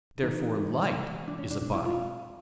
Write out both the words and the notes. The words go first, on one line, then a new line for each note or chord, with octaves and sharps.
Therefore light is a body.
C3 E3 A3 D4 D#4
C3 E3 G#3
D4
C#4
D4
B2 G#3 C4 D4
E4
F4